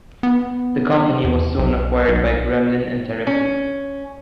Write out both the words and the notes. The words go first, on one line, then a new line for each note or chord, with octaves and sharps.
The company was soon acquired by Gremlin Interactive.
B3
E2
B1
B1
C#4